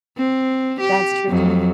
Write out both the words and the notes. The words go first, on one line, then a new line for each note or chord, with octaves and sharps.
That's true too.
C4
G4
F2 F#3